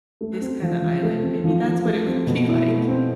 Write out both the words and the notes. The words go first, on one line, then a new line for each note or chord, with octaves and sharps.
this kinda island, maybe that's what it would be like.
A3
C4
F3
F3
A3
C4
F3
F3
A3
C4
B2
E4
A3
C4